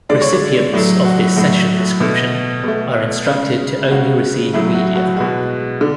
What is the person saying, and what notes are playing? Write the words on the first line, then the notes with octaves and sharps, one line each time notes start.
Recipients of this session description are instructed to only receive media.
D3 G#3 D5
C#5
D5
A2 F#3 A3
F#4
A2 F#3 A3 F#4
B2 A3
B2 A3
C#3
G#3
C#3 G#3 F#4
A2 F#3 A3 E4
F#4
F#4
B2 G#3 F#4
D3